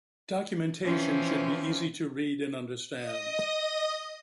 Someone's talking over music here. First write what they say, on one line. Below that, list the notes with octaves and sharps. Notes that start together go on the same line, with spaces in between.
Documentation should be easy to read and understand.
E3 F3 C4 C#4
D#5 D#6